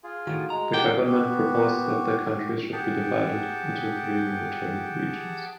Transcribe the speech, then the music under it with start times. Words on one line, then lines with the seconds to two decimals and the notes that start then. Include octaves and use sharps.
The government proposed that the country should be divided into three military regions.
0.04 F4 G#4
0.27 A2 D#3 F#4
0.50 G#3 A#5
0.73 G4 F#5 G5
1.06 B3 F#4 G4
2.73 G4 G#4 F#5 G5 A5